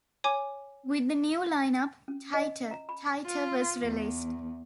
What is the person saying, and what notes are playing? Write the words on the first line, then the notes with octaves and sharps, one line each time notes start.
With the new line-up, "Tighter, Tighter" was released.
C#5 G#5 D6
C#4
D#5
A#5
B5
F4
E2